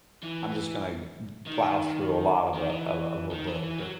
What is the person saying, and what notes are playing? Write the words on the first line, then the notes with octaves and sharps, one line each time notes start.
I'm just gonna g g plow through a lot of a of a of a book," or
E3
D#3
D#3
E3
D#3
E3
E3
F#3